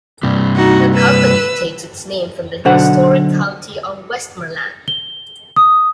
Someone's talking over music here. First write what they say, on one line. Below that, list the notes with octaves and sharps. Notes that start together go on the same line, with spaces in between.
The company takes its name from the historic county of Westmorland.
G2 C3
D#4 F#4
B4 E6
B1 B2 D3 C5 F#5
G7
D#6